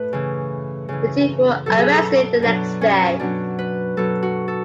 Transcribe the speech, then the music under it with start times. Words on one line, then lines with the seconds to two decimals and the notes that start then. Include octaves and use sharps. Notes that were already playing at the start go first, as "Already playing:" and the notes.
The two were arrested the next day.
Already playing: A2 B4
0.13 C#3 E3
0.89 C#3 E3
1.66 B2 F#3 A4
1.78 G#4
1.92 A4
2.43 B2 F#3 D4
2.81 C#4
3.19 B2 F#3 D4
3.59 B4
3.97 B2 F#3 A4
4.23 F#4
4.48 A4